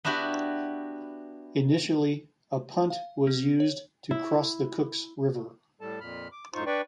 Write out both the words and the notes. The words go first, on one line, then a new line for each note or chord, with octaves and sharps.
Initially, a punt was used to cross the Cooks River.
B3 D4 E4 F#4 G4
F5
C4
C#5
E4
A2 G3 A4 A5
F2 A#2 B5 F6
D6
F#2 A2 D#4 F4 C5 C#6
D4 B4 D5 G5 C#6